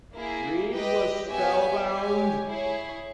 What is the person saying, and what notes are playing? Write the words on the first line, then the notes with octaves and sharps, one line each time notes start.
Reid was spellbound.
A#3 E4 G#4
G4 B4 D#5 G5
B3 G4 C#5 E5 G#5
G4 C#5 G#5
E4 G#4 C#5